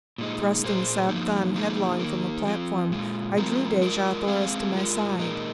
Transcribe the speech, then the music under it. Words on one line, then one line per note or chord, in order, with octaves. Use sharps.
Thrusting Sab Than headlong from the platform, I drew Dejah Thoris to my side.
A#2 G#3 D#4
A#2 A#3 G#4 C5
F3 A#3 D#4
F3 A#3 D#4 G#4
D#3 A#3 D#4 A#4
F3 C4 F4
A#2 G#3 F4
F3 G#3 C4 F4 A#4
G#3 F4 A#4
G#3 C4 G#4 F5
G#3 F4 A#4
A#2 G#3 D#4 A#4